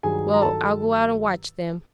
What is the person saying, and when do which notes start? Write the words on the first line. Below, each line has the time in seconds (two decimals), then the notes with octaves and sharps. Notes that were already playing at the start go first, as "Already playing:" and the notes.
Well, I'll go out and watch them.
0.03 G2 D#3 F#3 G#4 G#5
0.33 A#5
0.42 A4 A5